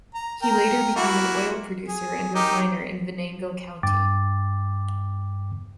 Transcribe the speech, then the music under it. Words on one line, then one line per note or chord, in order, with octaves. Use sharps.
He later became an oil producer and refiner in Venango County.
A#5
A#4 G5 A#5
A#3 E4 F#4
G#4
D#4 G4 A#4
G2 G5 D6 A6